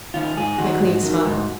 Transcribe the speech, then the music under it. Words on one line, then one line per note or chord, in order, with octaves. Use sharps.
McLean smiled.
D#3 F4
G#2 G#4
D#3 F#4
G#2
D#3
G#2